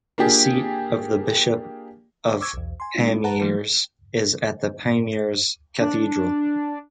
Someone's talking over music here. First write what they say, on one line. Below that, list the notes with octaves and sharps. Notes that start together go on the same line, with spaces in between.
The seat of the Bishop of Pamiers is at the Pamiers Cathedral.
A#3 D4 F4 G4 G#4
C#6 D6 E6 G#6
B1 E2
G#5 C6
G#3 C#4 D#4 F4
B4 F#5 A5 A#5
E3 F#3 A3
D4